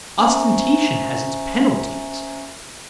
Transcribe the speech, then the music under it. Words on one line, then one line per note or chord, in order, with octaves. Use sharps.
Ostentation has its penalties.
C#4 C5 E5 G#5 A#5 C#6